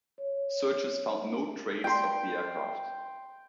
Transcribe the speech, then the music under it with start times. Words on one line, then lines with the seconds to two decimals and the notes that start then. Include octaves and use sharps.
Searches found no trace of the aircraft.
0.18 C#5
1.84 G5 C6